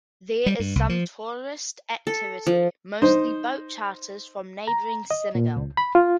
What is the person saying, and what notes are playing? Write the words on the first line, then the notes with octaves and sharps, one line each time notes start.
There is some tourist activity, mostly boat charters from neighboring Senegal.
G3
G2
C2
F3
A4
F3
D#4 C5
A#5
D#5
A#2
C#2
B5
F4